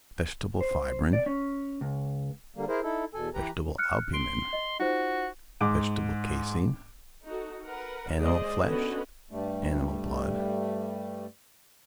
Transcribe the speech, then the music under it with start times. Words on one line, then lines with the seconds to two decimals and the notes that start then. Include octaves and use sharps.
Vegetable fibrine. Vegetable albumen. Vegetable caseine. Animal flesh. Animal blood.
0.61 C5
1.13 D5
1.26 C#4
1.81 C#2
2.56 D3 G3 A#3
2.68 E4 G#4 A#4 C5
2.83 D#4 E4 A4
3.14 E2 B2 A4 G#5
3.34 E3 G4 B4 A#5
3.78 F6 F#6 C#7
4.14 C6 D7
4.53 D#5
4.79 D#4 F4 F#4 C5
5.61 G#2 D6
7.25 D#4 F#4 A4
7.65 A#4 B4 F#5
8.17 G#3 G#4 C5 D5 D#5
8.63 D3 B3 C#4 F#4 B4 D#5
9.31 G2 G3 A3